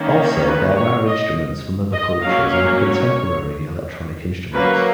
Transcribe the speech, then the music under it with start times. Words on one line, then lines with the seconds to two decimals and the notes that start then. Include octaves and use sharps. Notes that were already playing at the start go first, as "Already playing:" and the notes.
Also, there are instruments from other cultures and contemporary electronic instruments.
Already playing: D#3 A#3 C#4
0.48 B4
0.76 C#5
1.05 D#5
1.93 D#5
2.22 F#3 A#3 C#4 F5
2.51 F5
2.80 C#5
4.54 F#3 A#3 C#4 B4